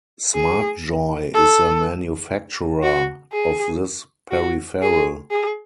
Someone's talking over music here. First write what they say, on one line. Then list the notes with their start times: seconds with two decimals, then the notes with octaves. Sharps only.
SmartJoy is the manufacturer of this peripheral.
0.34 G#4
1.34 A4
2.83 F#4
3.33 G#4
4.31 F#4
4.82 G#4
5.31 G#4